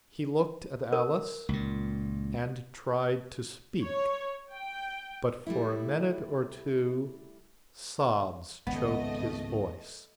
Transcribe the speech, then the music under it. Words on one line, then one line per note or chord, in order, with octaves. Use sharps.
He looked at Alice, and tried to speak, but for a minute or two sobs choked his voice.
A#4
C#2 A#2
C#5
G5
G3 A3 E4
G#1 C#2 A3 B3 D#5